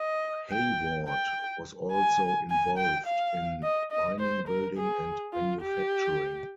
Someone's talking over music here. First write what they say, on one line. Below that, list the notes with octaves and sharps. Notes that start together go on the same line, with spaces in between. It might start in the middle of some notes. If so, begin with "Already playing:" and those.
Hayward was also involved in mining, building and manufacturing.
Already playing: D#5
G5
G5
G#5
G#5
G5
F5
D#5
D#5
C5
A#4
G#4
F4
G4